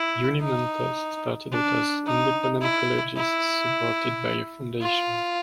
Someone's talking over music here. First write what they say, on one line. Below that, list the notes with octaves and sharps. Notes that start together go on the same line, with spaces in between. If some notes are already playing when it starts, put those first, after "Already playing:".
Unimontes started out as independent colleges, supported by a foundation.
Already playing: E4
D#4
D4
D#4
E4
E4
F4